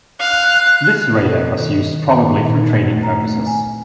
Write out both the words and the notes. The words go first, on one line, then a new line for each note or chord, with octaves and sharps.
This radar was used probably for training purposes.
F5 F#6
B2
A4
D#3
D#3
A#2
D#4
A3
A#5
G#5